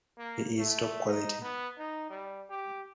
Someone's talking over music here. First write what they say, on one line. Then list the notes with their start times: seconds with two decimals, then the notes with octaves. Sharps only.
He is top quality.
0.18 A#3
0.58 A3
1.07 D#4
1.42 B3
1.78 D#4
2.10 G3
2.50 G4